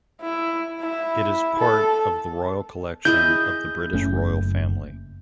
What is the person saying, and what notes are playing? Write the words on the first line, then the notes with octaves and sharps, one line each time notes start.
It is part of the Royal Collection of the British royal family.
E4
E4
A4
E4 G#4 D#5 G6
F#1 A3 C#4